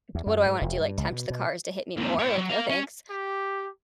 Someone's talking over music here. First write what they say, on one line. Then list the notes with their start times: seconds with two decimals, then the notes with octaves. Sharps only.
what do I wanna do? Like, tempt the cars to hit me more? Like, "No, thanks."
0.15 E2
0.27 F#2
0.46 G#2
0.61 F1
0.80 G2
0.98 C#2
1.12 B2
1.30 B2
1.97 D#2 C3
2.19 C#5 G5
2.38 F#3
2.50 A#4 F5
2.70 C#4
3.09 G4